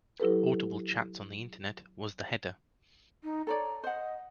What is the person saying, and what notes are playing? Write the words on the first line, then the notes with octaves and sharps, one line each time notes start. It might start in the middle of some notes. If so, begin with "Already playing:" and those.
Audible chats On the Internet was the header.
F#3 E4 G4 A4 B4
D#4
A4 C#5 D5 A#5
C5 D#5 F#5